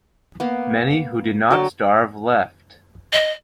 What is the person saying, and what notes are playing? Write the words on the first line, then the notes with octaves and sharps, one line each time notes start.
Many who did not starve left.
A#3 B3
D3 F#3 G5 A5
D#5